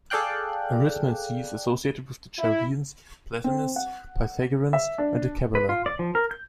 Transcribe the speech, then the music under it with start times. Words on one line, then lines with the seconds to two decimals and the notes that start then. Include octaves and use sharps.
Arithmancy is associated with the Chaldeans, Platonists, Pythagoreans, and the Kabbalah.
0.10 G#4 A4 D5 F5 G5 F#6
2.38 E4
3.44 C4
3.76 F#5
4.73 E5
4.98 D4
5.55 B4
5.69 F4
5.86 D5
5.99 F3
6.15 A#4
6.31 G6